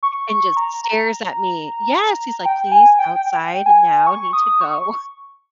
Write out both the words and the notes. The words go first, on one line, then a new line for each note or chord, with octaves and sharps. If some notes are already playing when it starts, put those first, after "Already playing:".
and just stares at me. Yes, he's like, "Please, outside now, need to go."
C#6
C#6
A#5
A#5
G5
G#5
G5
G5
G#5
C#6
D#6
C#6